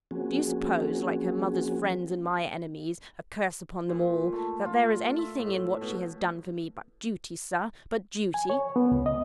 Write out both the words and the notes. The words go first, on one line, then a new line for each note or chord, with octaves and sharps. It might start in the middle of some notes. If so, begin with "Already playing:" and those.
Do you suppose, like her mother's friends and my enemies--a curse upon them all!--that there is anything in what she has done for me but duty, sir, but duty?
F3 A#3 C4 C#4 F#4 G#4
A#2
A3
F4
E5
A2
B2
G#5
C#5
B3
C#2
D#5